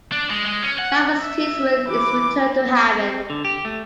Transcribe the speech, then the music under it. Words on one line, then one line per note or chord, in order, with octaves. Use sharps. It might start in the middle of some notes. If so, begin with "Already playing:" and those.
Thomas Theisman is returned to Haven.
D4
G#3
G#3
C#4
F#5
E5
E3 D6
C4
D3
G4
A3